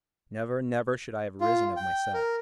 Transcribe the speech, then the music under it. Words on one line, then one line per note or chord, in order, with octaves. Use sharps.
Never, never should I have risen of myself!
F4
G5
A#4